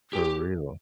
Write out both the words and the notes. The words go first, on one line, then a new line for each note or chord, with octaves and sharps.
for real.
G4